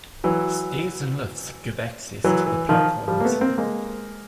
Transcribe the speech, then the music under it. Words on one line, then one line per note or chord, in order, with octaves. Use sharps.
Stairs and lifts give access to the platforms.
E3 F#3
E3 F#3
E3
D#3 F3
F3 G3
A#3
A3 B3
A#3 C4
G#3 A#3